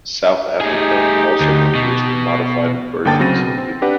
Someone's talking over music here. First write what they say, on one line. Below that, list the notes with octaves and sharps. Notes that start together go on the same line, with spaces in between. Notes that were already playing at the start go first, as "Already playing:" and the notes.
South Africa also produced modified versions of the gun.
A3 D#4 G4 G#4
D2
B2
G1 D3 A#3 G5 A5 A6
D2 C#3 F#3 C4 A#6 D#7
B2
C4
D4 G4 B4 F#5